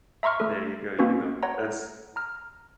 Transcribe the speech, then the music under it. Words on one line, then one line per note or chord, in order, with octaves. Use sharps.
There you go, you know. That's
E5 A#5 C6 C#6 F6
A3 A4
A#3 C4 C#4 D#4 F#4 B4
C#5 F#5 A#5
A#5 F6